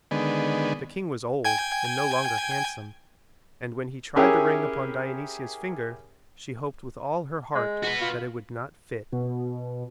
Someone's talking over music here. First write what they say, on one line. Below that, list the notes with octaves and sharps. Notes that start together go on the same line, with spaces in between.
The king was old and no longer handsome, and when he tried the ring upon Dionysia's finger she hoped with all her heart that it would not fit.
D3 D#3 G#3 B3
G5 G#5 G#6
C#4 E4 G4 G#4 A#4 E5
G#3
F#4 B4
F4
B2